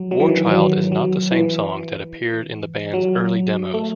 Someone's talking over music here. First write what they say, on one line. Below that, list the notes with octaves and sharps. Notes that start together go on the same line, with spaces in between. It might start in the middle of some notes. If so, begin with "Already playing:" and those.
"Warchild" is not the same song that appeared in the band's early demos.
Already playing: F#3
F#3
E3
D#3
E3
F#3
F#3
E3
F#3
A3